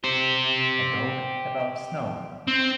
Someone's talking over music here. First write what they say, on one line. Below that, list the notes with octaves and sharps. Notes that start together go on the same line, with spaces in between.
A dog above snow.
G4 C5
C4